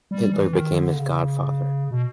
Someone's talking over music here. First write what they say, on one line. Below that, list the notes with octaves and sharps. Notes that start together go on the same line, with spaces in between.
Hitler became his godfather.
G3
E3
D#3
D3
C#3
B2